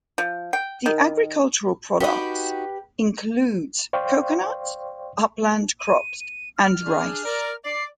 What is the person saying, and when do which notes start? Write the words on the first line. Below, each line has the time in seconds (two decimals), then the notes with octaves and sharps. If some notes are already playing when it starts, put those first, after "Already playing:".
The agricultural products includes coconuts, upland crops and rice.
0.18 F3
0.53 G5
0.86 D#3
2.00 D#4 F#4 G4 B4
3.93 C5 D5 F5 G5 C6 C#6
5.80 D#7
6.20 D#7
6.57 F6
6.86 D4 G#4
7.25 A#4 D5
7.65 D5 C7